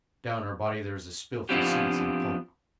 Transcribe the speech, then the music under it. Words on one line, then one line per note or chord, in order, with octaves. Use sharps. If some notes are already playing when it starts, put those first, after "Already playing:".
Down her body there was a spilth of seeds and pulp.
F3 B3 C4 D4 F4 G4